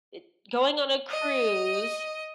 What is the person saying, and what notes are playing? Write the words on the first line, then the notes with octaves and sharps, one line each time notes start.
eh, going on a cruise,
D#5